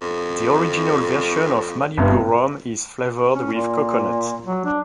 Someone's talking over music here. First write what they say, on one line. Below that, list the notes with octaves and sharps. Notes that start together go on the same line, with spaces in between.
The original version of Malibu rum is flavored with coconut.
F2
G1 G2 C3
C#4
A#2
F#3
D4